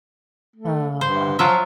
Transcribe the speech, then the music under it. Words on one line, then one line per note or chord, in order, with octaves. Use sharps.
Oh, wow.
A3
G2 C5
F3 F#3 F4 E5